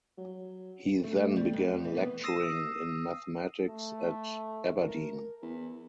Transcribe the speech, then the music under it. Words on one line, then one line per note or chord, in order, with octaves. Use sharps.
He then began lecturing in mathematics at Aberdeen.
F#3
A3
G3
F2
E3
B3
D#6 E6 A#6 C7 D#7 E7
A3
A#4
E2